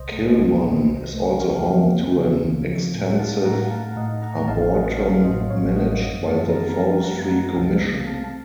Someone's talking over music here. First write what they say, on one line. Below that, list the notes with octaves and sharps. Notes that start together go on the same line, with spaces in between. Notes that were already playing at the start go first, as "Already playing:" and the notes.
Kilmun is also home to an extensive arboretum managed by the Forestry Commission.
Already playing: C2 C5 D#5
A3
C2
A#2
C2
A3
C#2 C#5 F5
F3
C4
C#3
C#2
F3
A2
F#5
D#4 F5 A5
A2 F#5 A#5
F#5
A3 F5 A5
F5
A2 D#5 F#5
D#4 F#5 A#5
A#5
A1 F5 A5
F5
A3 D#5 F#5
C#4 C#5 F5
A2 C5 D#5
A1 C#5 F5
A3 D#5 F#5
F#2 D#5 F#5
A3 F5 A5
A#5
C4 F5 A5
A#5
F3 F5 A5
F#2 F#5 A#5
A3 F#5 A#5
A#5
C2 F5 A5
A3
C4 F5 A5
A5